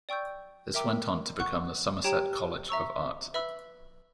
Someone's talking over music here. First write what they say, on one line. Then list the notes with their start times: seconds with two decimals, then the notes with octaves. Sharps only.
This went on to become the Somerset College of Art.
0.09 D5 G5 C#6 E6 G6
0.74 A#4 E5 G5 A#5 D6
1.39 F#5 C#6 F#6
2.04 G4 C#5 G5 A#5
2.69 E5 A#5 C#6 E6
3.34 B4 E5 B5 E6